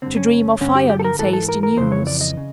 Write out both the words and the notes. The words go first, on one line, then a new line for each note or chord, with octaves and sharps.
To dream of fire means hasty news.
G2 D3 C4
C#4
G2 D3 C#4
G4
G4
A4
A#4
G#2 E3 A4
A4
A#4
A#4
F2 C#3 E3 C5
C#5
D5
D#5
C#3